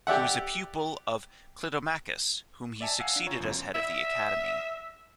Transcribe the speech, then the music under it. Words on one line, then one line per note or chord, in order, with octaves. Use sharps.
He was a pupil of Clitomachus, whom he succeeded as head of the Academy.
G4 D5 E5 F#5
D5 E5 G#5 A5
F5 F#5 G#5 E6 C7
D4 F5
F4 C#5 A#5
G1 F#2
E5